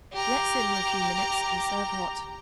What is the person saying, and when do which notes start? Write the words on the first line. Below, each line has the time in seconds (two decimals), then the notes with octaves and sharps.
Let simmer a few minutes and serve hot.
0.13 G4 A#5